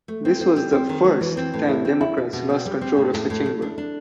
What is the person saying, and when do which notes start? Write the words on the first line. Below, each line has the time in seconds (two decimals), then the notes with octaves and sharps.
This was the "first" time Democrats lost control of the chamber.
0.08 A3
0.25 C4
0.41 C4
0.56 G3
0.72 C4
0.89 D#3
1.05 G#3
1.21 E3
1.37 C4
1.54 A2
1.68 E4
1.85 C4
2.01 E4
2.17 B2
2.33 B2
2.50 C4
2.65 G3
2.81 C4
2.97 A2
3.14 A2
3.30 A2
3.46 A3
3.62 D4
3.78 D4